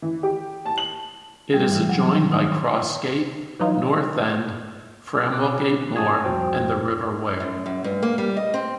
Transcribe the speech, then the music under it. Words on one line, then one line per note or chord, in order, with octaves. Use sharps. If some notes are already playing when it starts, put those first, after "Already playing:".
It is adjoined by Crossgate, North End, Framwellgate Moor and the River Wear.
E3
G4
A5
F#7
G3
E3
F#3
D#3
D#4
E3 F#3 D#4 F4
B2 C4 D6 F#6
G#5 A5 C#6 D#6 G#6
C2 F2 A#2 F#4 C5 G5
F#2
F#2
G2
A#3
G3
D#5
C4